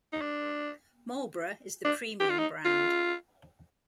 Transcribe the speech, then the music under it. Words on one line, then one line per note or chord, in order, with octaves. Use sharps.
Marlboro is the premium brand.
D#4
D4
D4
G4
F4
D#4
F4